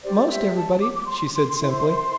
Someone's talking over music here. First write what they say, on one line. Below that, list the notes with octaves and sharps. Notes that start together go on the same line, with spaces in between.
"Most everybody," she said simply.
D4 G4 C5 D5
E5
A5
D6
D6
C6
C6
E4 C5